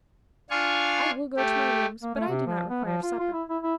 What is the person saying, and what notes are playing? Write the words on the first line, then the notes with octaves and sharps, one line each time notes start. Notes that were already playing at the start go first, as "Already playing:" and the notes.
I will go to my rooms, but I do not require supper.
D4 F4 F5 G#5 C#6
A3 G4
A#3
A3
C3
F3
B3
F3
F4
F4
E4
E4
E4